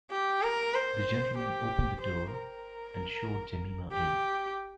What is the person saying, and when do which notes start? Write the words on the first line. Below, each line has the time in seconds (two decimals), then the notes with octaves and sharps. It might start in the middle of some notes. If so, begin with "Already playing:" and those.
The gentleman opened the door, and showed Jemima in.
0.10 G4
0.42 A#4
0.74 C5
1.37 G4
2.00 C5
2.33 A#4
3.92 G4